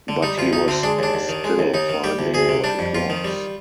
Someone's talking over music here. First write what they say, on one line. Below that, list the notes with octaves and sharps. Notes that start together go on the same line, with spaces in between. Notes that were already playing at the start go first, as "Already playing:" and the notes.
But he was still finding what it was.
D3
G3 D#4
D2 F4
D2 D#4
D3 C4
G#3 D4
D#2 D4
D#2
D#3
G#3
D#2
D#2 D#4
D#3
G3 G4
D2
D2 G#4
C3
G3 D4
F2
F2 F4
D#3
G3